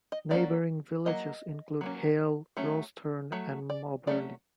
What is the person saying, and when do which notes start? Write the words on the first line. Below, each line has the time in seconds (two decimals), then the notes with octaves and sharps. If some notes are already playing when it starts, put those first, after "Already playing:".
Neighbouring villages include Hale, Rostherne and Mobberley.
0.12 D#5
0.31 F#3 A#3 C#4 D5
1.06 F#3 A#3 D#5
1.81 F#3 A#3 C#4
2.57 F#3 A3 C#4
3.32 F#3 A3
3.70 D5
4.07 F#3 A3 C#4 D5